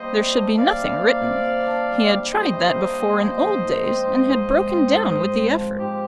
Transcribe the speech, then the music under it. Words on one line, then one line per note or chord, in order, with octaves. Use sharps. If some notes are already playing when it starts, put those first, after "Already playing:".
There should be nothing written; he had tried that before in old days, and had broken down with the effort.
Already playing: G3 A#3 C5 D#5
C3
D4
G3 D5 F5
C3
A#3
C3
C3
D4
G3
G3
G3 C5 D#5
C3
A#3
G3
F3
F3
G#2
C4
G#2
G#2
G#2
C4
G#2
G#2
C4
F3
G#2 G4